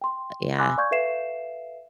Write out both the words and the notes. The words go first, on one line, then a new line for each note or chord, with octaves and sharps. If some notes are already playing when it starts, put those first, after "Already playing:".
But, yeah.
G5 C6
G#5 B5 C6 D6 E6 F#6
D5 F5 C#6 G6 G#6
A4 B4 E5 F5 C7 E7